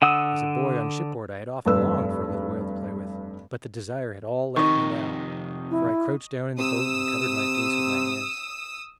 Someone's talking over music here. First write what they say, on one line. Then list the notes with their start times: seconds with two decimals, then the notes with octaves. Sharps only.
As a boy on shipboard I had often longed for a little whale to play with, but the desire had all left me now, for I crouched down in the boat and covered my face with my hands.
0.02 D3 F#5 D#6 E6
1.66 F1 G2 B4 E6
4.56 F2 C3 D#3 D#5 C#6
5.71 E4
6.58 C3 D#6 E6